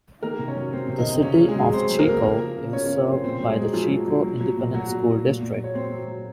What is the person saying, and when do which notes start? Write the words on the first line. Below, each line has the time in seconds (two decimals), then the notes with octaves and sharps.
The City of Chico is served by the Chico Independent School District.
0.23 D#3 A#3 A#4
0.39 C3
0.48 C#4 C#5
0.56 F#3
0.73 F#3 C4 C5
0.89 C3
0.98 D#3 D#4
1.07 C3
1.13 C4
1.22 C#3 C#4
1.39 C#3
1.48 G#3 G#4
1.56 F#3
1.73 F#3 C4 C5
1.90 F#3
1.99 A#3 A#4
2.07 C#3
2.23 C#3 A#3 A#4
2.39 F3
2.57 C#3
2.73 C#3 C#4 C#5
2.86 C#3 C#4 C#5
3.07 F3 C4 C5
3.24 A#2 C4 C5
3.40 F#3
3.49 G#3 G#4
3.56 F#3
3.73 F3 F#3 F4
3.91 F#3
4.08 F#3
4.24 F#3
4.41 F#3
4.57 A#2
4.74 F#3 F#4
4.91 A#2
5.07 A#2
5.24 A#2
5.41 A#2
5.57 F#3
5.64 C#5
5.74 A#2 C4 C5
5.91 F#3
6.07 F#3